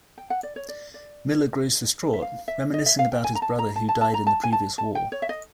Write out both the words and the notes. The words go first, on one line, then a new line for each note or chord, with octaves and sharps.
Miller grows distraught, reminiscing about his brother who died in the previous war.
G5
F#5
D5
C#5
D5
D5
E5
F5
E5
D#5
E5
F5
G5
G#5
A#5
A5
A#5
A5
A5
A5
A#5
A5
G#5
A5
A5
G5
C#5
E5
D#5